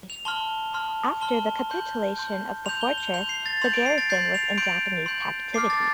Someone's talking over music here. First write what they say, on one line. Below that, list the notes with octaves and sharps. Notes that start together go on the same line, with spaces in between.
After the capitulation of the fortress the garrison was in Japanese captivity.
F7
A5 C6 F6 G7
A5 C6 F6
A5 C6 F6 G7
C6 G6
C6 G6
C6 G6 F7
G7
F7
C6 G6 F7
C7
A6
C6 G6 F7
D7
C7
A6
C6 G6 C7
F7
C6 G6 D7
C6 G6
A5 D6 F6 C7
A6